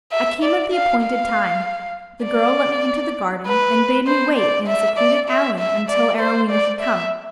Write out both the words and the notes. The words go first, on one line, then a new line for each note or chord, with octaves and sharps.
I came at the appointed time; the girl let me into the garden and bade me wait in a secluded alley until Arowhena should come.
E5
D5
F5
F5
D5
B4
C5
D5
E5
D5
E5
E5
D5
C5
D5
E5